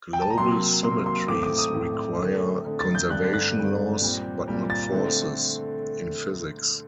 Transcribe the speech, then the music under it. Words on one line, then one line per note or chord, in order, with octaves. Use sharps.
Global symmetries require conservation laws, but not forces, in physics.
G5
A5
A#5
C3 F#3 A#3 C6
C3 F#3 A#3 C6
C6
A2 A3 C4 D6
D6
D#6
A2 A3 C4
D3 A3 C4
D3 A3 C4
A6
G6
G2 D3 G3 C4 F#6
F#6
G2 D3 G3 C4
A#2 G3 C4
A#2 G3 C4
A6
D3 A3 C4